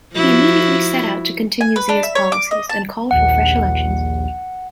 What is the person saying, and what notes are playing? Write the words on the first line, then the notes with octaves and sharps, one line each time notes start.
He immediately set out to continue Zia's policies and called for fresh elections.
F3 E4 F#4
G#5
B4
D4
E5
C#5
D6
D#5
A5
A#1 D#2 F#5